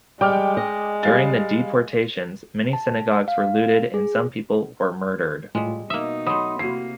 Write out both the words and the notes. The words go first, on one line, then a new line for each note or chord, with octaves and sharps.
During the deportations, many synagogues were looted and some people were murdered.
G3 G#3 G5 D6 F6
D#5
G3 F5 A6
A5
F5
G#4
A2 G3 G#3 F4
B2 A#3 D#4 E5 D#6
F#3 A3 B5 C6 D#6
C3 A#3 E4 F#4 C7